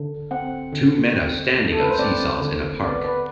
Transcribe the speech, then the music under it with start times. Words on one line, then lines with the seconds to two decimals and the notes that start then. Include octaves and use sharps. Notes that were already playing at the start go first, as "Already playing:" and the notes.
Two men are standing on seesaws in a park.
Already playing: D3
0.31 C4 F#5
0.73 D3
1.15 C4
1.58 A3
1.72 A4
1.81 B4
1.90 C5
1.99 C4 D5
2.41 D3
2.82 B3 D5
3.04 B4